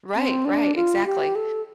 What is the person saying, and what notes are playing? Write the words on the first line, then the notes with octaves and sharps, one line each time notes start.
Right, right, exactly.
C4
D4
F4
G4
A4